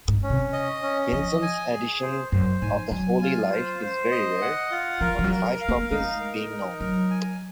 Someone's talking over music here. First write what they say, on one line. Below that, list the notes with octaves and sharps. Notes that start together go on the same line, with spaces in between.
Pynson's edition of the "Holy Lyfe" is very rare, only five copies being known.
G#2
C#4
C3
D#5
C#4
F3 D#5
G#5
G#4
C5
F#2 C5
G#2 G#5
F#3 G#5
F4
C5
C5
D#5
F#5
F4
F3 A#4
F3
F#3
A#4
F5
A#3
G#3 D#4
A#4
D#4
F#3 A#4
G#5